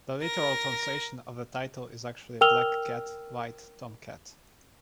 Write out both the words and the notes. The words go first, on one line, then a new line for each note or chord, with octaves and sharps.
The literal translation of the title is actually "Black cat, white tomcat".
A#4 A#6
A#4 G5 E6 F6 F7 G7